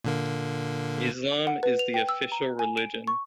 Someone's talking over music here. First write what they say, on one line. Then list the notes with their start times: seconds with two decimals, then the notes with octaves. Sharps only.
Islam is the official religion.
0.04 A#2 D3 A#3
1.47 F#5
1.63 B4
1.79 F7
1.94 G5
2.09 E6
2.32 A#5
2.59 G#5
2.77 D7
3.07 C#6